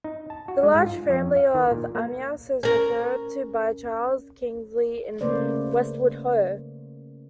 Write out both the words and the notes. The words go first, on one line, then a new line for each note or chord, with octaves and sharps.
The large family of Amyas is referred to by Charles Kingsley in Westward Ho!
D#4
A5
F#4
G#3
G#2
F4
F2
F5
D#3
A#2
A#3
C#4 A#4
C#3 A3 A#3 B4 C5 D5